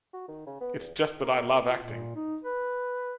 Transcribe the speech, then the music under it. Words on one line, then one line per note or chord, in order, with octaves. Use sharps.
It's just that I love acting.
F#4
D#3
C#3
B3
E2
A#4
F4
A#2
D#4
B4